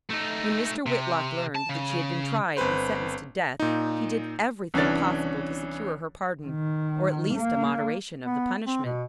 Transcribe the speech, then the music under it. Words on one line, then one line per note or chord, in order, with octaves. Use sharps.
When Mr. Whitlock learned that she had been tried and sentenced to death he did everything possible to secure her pardon, or at least a moderation of the punishment.
A3 D#4
C3
A5
C#3
G1 C4 B4 C5
A#2 D#4
C2 E3 C#4 D4 C#5 A6
D#3
A#3
B3
C4
B2